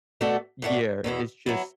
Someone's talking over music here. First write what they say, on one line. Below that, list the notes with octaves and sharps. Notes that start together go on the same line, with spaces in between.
year is just
B2 A3 F#4 A4 D5
A2 A3 F#4 D5
E2 B2 B3 E4
F#3 B3 E4